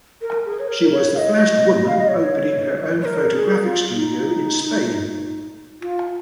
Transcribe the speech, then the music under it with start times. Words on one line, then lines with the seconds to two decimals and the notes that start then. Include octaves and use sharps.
She was the first woman opening her own photographic studio in Spain.
0.21 A#4
0.45 G#4
0.59 C#5
0.68 A#4
0.92 C#5
1.15 F5
1.18 D#5
1.87 F5
1.97 D#5
2.08 C#5
3.02 C#5
3.05 A#4
3.32 G#4
3.63 F4
3.94 D#4
5.81 F4